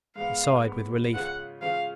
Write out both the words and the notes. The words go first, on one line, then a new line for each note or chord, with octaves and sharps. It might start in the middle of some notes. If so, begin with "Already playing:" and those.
He sighed with relief.
G#2 G#3 B3 F5
G#2 G#3 B3
C#3 G#3 C#4 F4 F#5
C#3 G#3 C#4 F4 F5